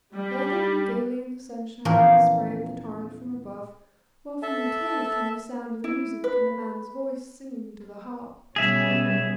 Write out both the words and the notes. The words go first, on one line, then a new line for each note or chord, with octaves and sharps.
There they grew gaily in the sunshine, and the spray of the torrent from above; while from the cave came the sound of music, and a man's voice singing to the harp.
G3
E2 A#2 F3 C#4 F4 A#4
A4 E5 A5
E4
B4
B2 G3 C#4 G#4 E5